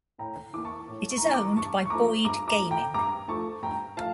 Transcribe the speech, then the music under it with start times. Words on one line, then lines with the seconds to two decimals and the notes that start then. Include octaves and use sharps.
It is owned by Boyd Gaming.
0.18 A2 G5 A#5
0.53 E3 A#3 D6
0.65 A5 C#6
0.88 A2
1.11 C#6
1.18 A#5
1.22 E3 A#3 A5 C#6
1.34 A#5 D6
1.56 G2 A5 C#6
1.85 C#6
1.90 F3 A3 A#5 D6
2.25 G2 A#5 D6
2.48 A#5 D6
2.59 F3 A3
2.71 G5 A#5
2.94 G2 A#5 D6
3.28 F3 A3 A5 C#6
3.62 G2 G5 A#5
3.97 F3 A3 F5 A5